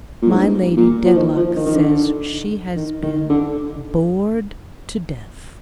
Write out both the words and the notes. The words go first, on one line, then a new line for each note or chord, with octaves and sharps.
My Lady Dedlock says she has been "bored to death."
A#2
G#2
G2
A#2
F3
D#3
F3
D#3
D#3
D3
D#3
D#3
D3